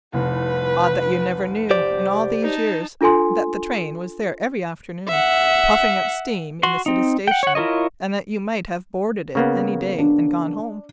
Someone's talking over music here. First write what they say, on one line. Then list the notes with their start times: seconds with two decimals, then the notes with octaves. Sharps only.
Odd that you never knew, in all these years, that the train was there every afternoon, puffing up steam in the city station, and that you might have boarded it any day and gone home.
0.13 F1 C2 B4
1.70 G4 C5 D5
2.43 D#4 A5
3.01 D4 F4 A4 G#5 C6
5.09 E5 F#5
6.63 F#4 C6
6.86 C4 D#4
7.28 F#5 G5
7.43 C#5 F#5
7.55 E4 F4 A#4 C#5 D#5
9.35 C#3 A#3 B3
9.98 D4